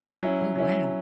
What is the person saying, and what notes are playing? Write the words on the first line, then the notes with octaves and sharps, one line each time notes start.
Oh, wow.
F#3 C#4 E4
F#3 C#4 E4